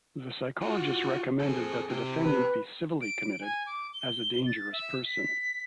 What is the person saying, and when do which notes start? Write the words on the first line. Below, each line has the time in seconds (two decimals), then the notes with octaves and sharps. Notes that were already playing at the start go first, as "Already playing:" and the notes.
The psychologist recommended that the defendant be civilly committed as a dangerous person.
0.62 F4 F#4
1.40 C4 G#4 A4
1.90 C4 G4
2.25 B4
3.01 D7
3.41 G#5
3.66 D6
3.94 G7
4.47 A6
4.72 E5
5.06 B6